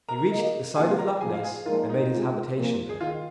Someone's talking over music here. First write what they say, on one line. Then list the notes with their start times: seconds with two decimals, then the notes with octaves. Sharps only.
He reached the side of Loch Ness and made his habitation there.
0.09 A#4 A#5
0.32 A#3 G#4 D#5
0.76 C3 F3 A#3 F4 G#4 G#5
0.98 A#4 A#5
1.21 F3 G#3 F4 G#4 G#5
1.34 F5
1.43 G#4 G#5
1.66 A#2 F3 G#3 D#4 F4 A#4
1.89 D#4
2.11 C3 G#3 C4 F4
2.56 A#2 F3 A#3
2.89 G#4
3.00 D#3 F4